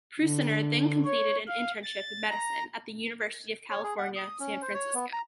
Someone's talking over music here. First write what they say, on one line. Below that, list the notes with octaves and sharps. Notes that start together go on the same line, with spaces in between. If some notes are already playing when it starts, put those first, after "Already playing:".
Prusiner then completed an internship in medicine at the University of California, San Francisco.
D3
C#5
F5
A6
A#5
C#5
G#4
F#5
D#6
C#4
C5
C#5
B3
A#5